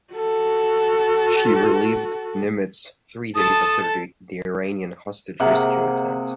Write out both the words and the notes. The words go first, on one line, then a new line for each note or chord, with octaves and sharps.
She relieved "Nimitz" three days after the Iranian hostage rescue attempt.
F#4 A4
A4 A5 D#6
C3 A#3 G#4 F#5